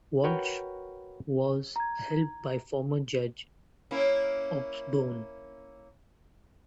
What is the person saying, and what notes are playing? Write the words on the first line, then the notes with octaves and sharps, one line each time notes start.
Walsh was helped by former judge Osbourne.
F#4 A#4 B4 C#5 G5
A#5 G#6
A#3 C#4 E4